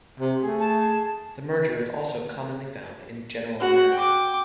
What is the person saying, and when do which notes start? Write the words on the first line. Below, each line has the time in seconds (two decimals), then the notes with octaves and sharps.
The merger is also commonly found in General American.
0.20 C3
0.43 A3 G#4
0.60 A5
3.60 F#4
3.94 G5 D6